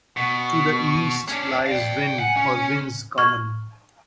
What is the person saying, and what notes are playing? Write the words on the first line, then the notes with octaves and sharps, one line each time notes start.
To the east lies Winn or Winn's Common.
B2 C#6
C#4 D4
D5 F5 G5
F#5 G#5
C#4
C#6 F6 G#6